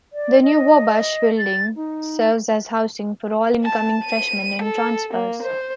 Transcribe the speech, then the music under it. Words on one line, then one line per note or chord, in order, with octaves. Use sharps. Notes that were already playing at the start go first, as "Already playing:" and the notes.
The new Wabash building serves as housing for all incoming freshmen and transfers.
D5
D#5
A6
D#4
A5
D#7
A4
A#3
C5